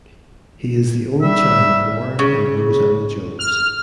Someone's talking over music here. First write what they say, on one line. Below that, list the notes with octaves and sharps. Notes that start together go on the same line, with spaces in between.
He is the only child of Warren and Rose Anna Jones.
G3 E5
C#3
F6